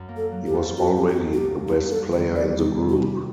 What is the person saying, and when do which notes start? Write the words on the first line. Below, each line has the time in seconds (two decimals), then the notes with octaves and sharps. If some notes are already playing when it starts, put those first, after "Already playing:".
He was already the best player in the group.
Already playing: F#2
0.09 A#3
0.17 A4
0.32 F#3
0.46 G4
0.54 F#2
0.76 D#4 F#4
0.97 F#2 G4
1.07 F#4
1.22 F#2
1.33 F#4
1.38 G4
1.45 A#3
1.68 G3 G4
1.90 D4 A4
2.12 D#3 C5
2.35 G3 D5
2.58 C3 D#4
2.81 C3
2.89 F#4
3.04 G3